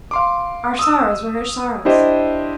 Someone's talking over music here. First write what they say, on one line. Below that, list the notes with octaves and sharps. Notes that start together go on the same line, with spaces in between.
Our sorrows were her sorrows.
F5 C6 D6
D#6 E6
D4 E4 G4 C5 D#5